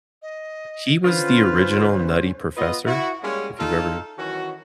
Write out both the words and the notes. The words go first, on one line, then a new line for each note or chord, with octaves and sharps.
He was the original Nutty Professor, if you've ever
D#5
D3 C#4 F4 B4 C5
B3 F4 B4 D#5
E4 F#4
G3 G#3 A#3 C#4
D#4 F4 A4
D#3 E3 F#3 C#4 F#4